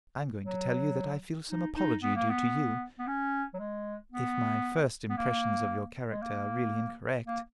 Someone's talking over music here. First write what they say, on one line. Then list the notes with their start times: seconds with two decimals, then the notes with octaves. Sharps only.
I am going to tell you that I feel some apology due to you, if my first impressions of your character are really incorrect.
0.45 F#3
1.50 D#4
1.76 D#4
2.02 B3
2.16 A#3
2.30 B3
2.99 B3
3.07 C#4
3.54 F#3
3.59 G#3
4.12 B3
5.10 B3
5.17 A#3
6.11 G#3
6.22 A#3
7.27 A#3